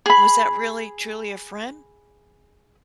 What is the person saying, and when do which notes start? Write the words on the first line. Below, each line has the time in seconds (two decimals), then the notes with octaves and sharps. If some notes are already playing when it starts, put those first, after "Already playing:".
was that really truly a friend,
0.06 G#4 B5